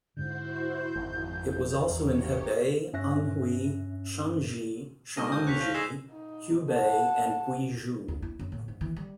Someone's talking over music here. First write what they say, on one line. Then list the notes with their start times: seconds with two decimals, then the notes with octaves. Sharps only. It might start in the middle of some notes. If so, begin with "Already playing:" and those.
It was also in Hebei, Anhui, Shanxi, Shaanxi, Hubei and Guizhou.
0.17 G#2 D3 E4 F#4 C5 G6
0.96 G#1 F2
1.90 E2 G4 C#5 A#5
2.93 G2 C#4 E5 F#6 A#6
5.17 D2 G#3 D#4 A4 D#5 A#6
5.32 D#6 G6
5.47 D#2 D3 C#5 F#6 B6 F7
5.60 F3
5.74 G#3 E6 C7 E7
6.10 D#4
6.72 F#5 A5
8.08 D2
8.22 E4
8.39 F#2
8.52 A2
8.68 G#2
8.81 E3
8.96 G3